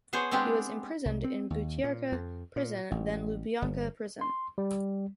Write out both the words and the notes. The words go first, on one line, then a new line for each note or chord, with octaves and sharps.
He was imprisoned in Butyrka Prison then Lubyanka Prison.
B3 G#4 C5 C#5
G#3 B3 C4 D4 G4
C2
C4
D#2
A#2
F2
A#2
A1
G1
C6
G3